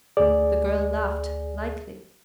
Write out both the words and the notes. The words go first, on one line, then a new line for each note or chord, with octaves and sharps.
The girl laughed, lightly.
D2 G#4 D5